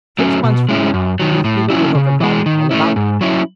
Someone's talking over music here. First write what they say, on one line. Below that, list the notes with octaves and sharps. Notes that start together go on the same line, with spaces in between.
Six months from now these people will have forgotten all about it.
F#3 A3 C#4
B2
G#3 C#4 E4
F#2
D#3 F#3
A2
F#3 C#4 E4
C#3
E3 G#3
D#3
A3 C#4 E4
G#2
F#3 C#4 E4